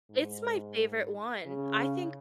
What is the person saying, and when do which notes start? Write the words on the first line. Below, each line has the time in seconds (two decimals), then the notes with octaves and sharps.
It's my favorite one, I think
0.10 G#2
1.46 C#3